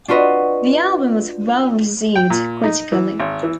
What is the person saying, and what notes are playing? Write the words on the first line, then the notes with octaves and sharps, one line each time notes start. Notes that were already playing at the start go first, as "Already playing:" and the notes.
The album was well-received critically.
D4 F4 F#4 B4 D#5
G5
A#2
D#4
E3
G#1
E3